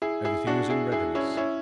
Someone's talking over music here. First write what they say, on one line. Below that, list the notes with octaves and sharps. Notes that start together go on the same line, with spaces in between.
Everything was in readiness.
E4 G#4
E4 G#4
D4 F#4
E4 G#4
E4 G#4
C#4 E4
C#4 E4